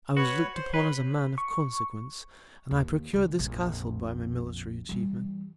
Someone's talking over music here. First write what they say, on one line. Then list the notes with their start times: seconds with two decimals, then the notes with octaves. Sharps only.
I was look'd upon as a Man of Consequence, and I procur'd this Castle by my military Atchievements.
0.17 F#4 B4 C#5
0.55 C5
0.74 B4 C#5 C6
1.38 C#6
2.71 D#2
3.13 C#2
3.39 A#1 F2
4.89 E3 G3